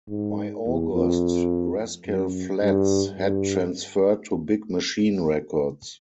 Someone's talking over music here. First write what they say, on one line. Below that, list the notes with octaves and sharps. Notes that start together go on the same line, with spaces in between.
By August, Rascal Flatts had transferred to Big Machine Records.
G#2
E2
F2
F#2
G2
G2